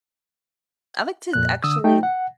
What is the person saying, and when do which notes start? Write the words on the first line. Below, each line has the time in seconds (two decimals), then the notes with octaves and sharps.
I like to actually
1.33 F2 A#2 F#6
1.64 D3 D#6 E6
1.84 A3 D#4 G5
2.03 F#5